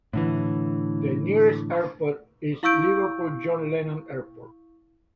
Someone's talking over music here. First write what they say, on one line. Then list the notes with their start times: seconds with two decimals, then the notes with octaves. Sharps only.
The nearest airport is Liverpool John Lennon Airport.
0.13 A2 D3 E3
2.63 E4 F5 C#6 E6 G6 D7